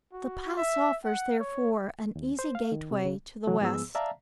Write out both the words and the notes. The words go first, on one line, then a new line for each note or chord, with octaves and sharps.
The Pass offers, therefore, an easy gateway to the West.
F#4
E5
F#5
C#5
D#2
C5
F5
D#3
C3
C#3
C3 E3 F#3
G#2 F3 B3 G#4 E6
D5 E5 F5 A5 A#5